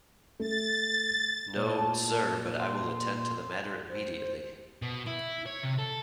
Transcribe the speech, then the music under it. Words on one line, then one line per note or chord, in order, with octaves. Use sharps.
No, sir, but I will attend to the matter immediately.
A3 A6
A#2 C#5
A5
C6
C5
B2
E4
C#5
C3
A4